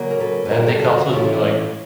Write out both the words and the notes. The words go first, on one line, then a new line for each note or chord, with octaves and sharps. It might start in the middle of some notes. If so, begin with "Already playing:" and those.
then they could also d like
Already playing: C#3 F#3 A#3
A#4
A4 B4
B4
G2 D3 G3 G#4 A#4
G4 A4
G4 A4
F#4 G#4
A2 E3 A3 C#4 E4 F4 G4